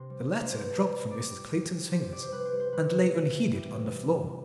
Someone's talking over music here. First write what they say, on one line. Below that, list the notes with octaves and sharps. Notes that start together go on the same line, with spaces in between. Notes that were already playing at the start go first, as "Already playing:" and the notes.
The letter dropped from Mrs. Clayton's fingers and lay unheeded on the floor.
Already playing: C3 C5
G3
G3
C5
G3 C5
B4
G3 A4
G3
G3 D5
G3
G3
G3
G3 C5
C5
C3 D5
C5
G3 B4
C5
G3
C5
G3 B4
C3
E3
E3
G3 E4
C3
G3
C3